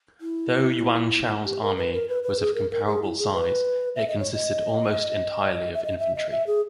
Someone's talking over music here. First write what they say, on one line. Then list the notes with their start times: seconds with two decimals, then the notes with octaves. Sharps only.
Though Yuan Shao's army was of comparable size, it consisted almost entirely of infantry.
0.21 E4
1.45 G4
1.62 A#4
1.77 B4
1.93 A#4
2.08 B4
2.23 B4
2.39 G#4
2.55 A#4
2.71 A#4
2.86 G#4
3.02 E4
3.18 G#4
3.33 B4
3.96 E5
4.08 D#5
4.19 C#5
4.33 D#5
5.74 E5
5.83 D#5
5.99 E5
6.15 D#5
6.31 E5
6.47 G#4